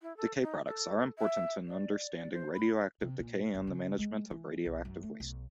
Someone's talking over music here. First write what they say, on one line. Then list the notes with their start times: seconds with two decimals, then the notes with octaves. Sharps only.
Decay products are important in understanding radioactive decay and the management of radioactive waste.
0.02 E4
0.17 A4
0.42 D#4
0.67 A4
1.19 E5
1.68 D5
2.16 D5
2.33 C5
2.53 B5
3.01 C3
3.20 A#2
3.55 F#1
3.67 C#3
3.99 G#3
4.31 E3
4.65 B1
4.85 F#2
5.03 A3
5.20 B1